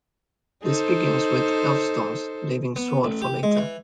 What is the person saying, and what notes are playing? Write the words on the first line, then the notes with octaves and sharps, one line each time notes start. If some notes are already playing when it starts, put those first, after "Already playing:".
This begins with "Elfstones", leaving "Sword" for later.
D#4 A4 C5
B3
A1
G4
G#3
E3